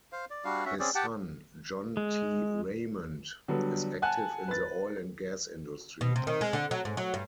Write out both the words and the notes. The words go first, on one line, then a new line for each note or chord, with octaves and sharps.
His son, John T. Raymond, is active in the oil and gas industry.
C5 F5
D5
G3 D4 F#4 F5
C#4 F#4 E5
C4 C#4 G#4 D5
G4 F#5 G5 A5
G#3
D3 F#3 G3 B3
F#5 G#5 A5 F#6
B4 A6
B2
C3
D#3
G#3
D3
F#3
G#2
F#3
G2